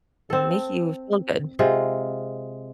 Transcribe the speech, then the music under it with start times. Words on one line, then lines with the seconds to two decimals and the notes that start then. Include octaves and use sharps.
and make you feel good.
0.30 C4 A4
1.59 C3 G#3 F4